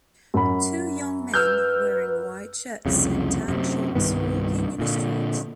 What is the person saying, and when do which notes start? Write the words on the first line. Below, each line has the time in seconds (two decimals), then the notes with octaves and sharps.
Two young men wearing white shirts and tan shorts walking in a street.
0.34 F#2 B5
1.34 B4 E6 F6 G6
2.86 C2 F2 C#3
3.48 F#2 C3
3.95 C2 G2 D#3 B3
4.79 A#2 D3